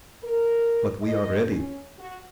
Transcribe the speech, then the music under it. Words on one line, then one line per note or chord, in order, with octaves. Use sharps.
But we are ready.
A#4
D#5
C#4
F#4